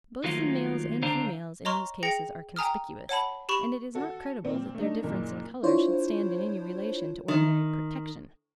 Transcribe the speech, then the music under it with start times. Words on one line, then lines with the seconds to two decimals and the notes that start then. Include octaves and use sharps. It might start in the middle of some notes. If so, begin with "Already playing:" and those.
Both the males and females in these cases are conspicuous, and it is not credible that their difference in colour should stand in any relation to ordinary protection.
0.24 D#3 F3 F#3 A3 A#3 F4
1.02 C#2 D3 D4 C5 F5 A#5
1.65 C#5 D#5 A#5 C6 C#6 F6
2.03 G#4 G5 A#6 C#7
2.56 G5 G#5 A#5 D#6 F6
3.09 C#5 F#5 A5 B5
3.49 G4 B5 C#6
3.95 F#4 A4
4.44 A#2 C4
4.74 A3 D4 D#4
5.03 F#1 A#2 A#4
5.63 D4 E4 F4 C5 C#5
7.28 D#3